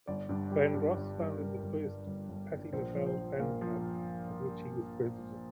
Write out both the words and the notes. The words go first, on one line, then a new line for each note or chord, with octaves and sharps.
Vandross founded the first Patti LaBelle fan club, of which he was president.
G1 D5
G2
G3
G2
G1
G1
G2 A#4
G1
G1
G1
G1
G1
A#1 C5
F3
C5
F3
A#2 F5
F3